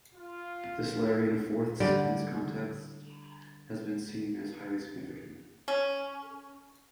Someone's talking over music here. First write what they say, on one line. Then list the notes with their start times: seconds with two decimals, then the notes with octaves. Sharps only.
This layering of fourths in this context has been seen as highly significant.
0.15 F4
1.80 D3 G3 D5
5.68 C#4